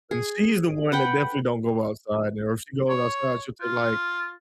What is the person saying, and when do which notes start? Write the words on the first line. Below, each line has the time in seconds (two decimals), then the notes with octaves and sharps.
and she's the one that definitely don't go outside, and if she goes outside she'll take, like
0.11 G#4
0.92 B4 F#5 G5
2.89 C#5
3.61 F4